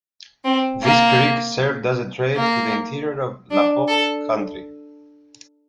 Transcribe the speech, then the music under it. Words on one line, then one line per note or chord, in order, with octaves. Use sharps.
This creek served as a trail to the interior of LaPorte County.
C4
A#3
A#3
D4
A4